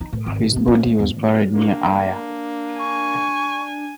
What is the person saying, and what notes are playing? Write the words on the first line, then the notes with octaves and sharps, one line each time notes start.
His body was buried near Ayr.
D#4
A2
G#1
B3
C#4
A3
E2
A#3 D4
G#5 C#6